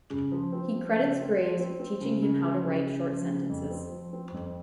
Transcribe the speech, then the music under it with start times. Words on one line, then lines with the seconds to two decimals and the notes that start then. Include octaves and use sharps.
He credits Graves with teaching him how to write short sentences.
0.10 C#3
0.32 F3
0.52 C4
0.74 F3
0.95 C#3
1.16 C4
1.37 F3
1.59 C4
1.80 C4
2.01 C#3
2.22 C#3
2.43 F3
2.65 C#3
2.85 C#3
3.07 F3
3.28 C#3
3.49 F2
3.70 C4
3.92 F3
4.13 C4
4.34 F2